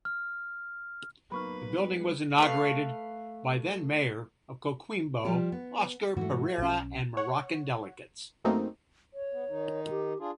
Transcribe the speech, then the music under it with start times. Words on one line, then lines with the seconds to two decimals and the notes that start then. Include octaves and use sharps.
The building was inaugurated by then mayor of Coquimbo Oscar Pereira and Moroccan delegates.
0.05 F6
1.32 F#3 A#3 B3 D#4 B4 B5 C#6 F6
1.74 G3 G#3
2.38 A3 B4 F5
5.25 F3 G3 G4
5.52 B3
6.17 G#2 E3 A3 F#4
6.58 B1 C#4
7.17 C#5 F#5
8.45 F#2 A3 A#3 C4 D#4
9.14 C#5
9.33 B3
9.49 D#3 D#4
9.90 G4
10.20 D4 F4 G#4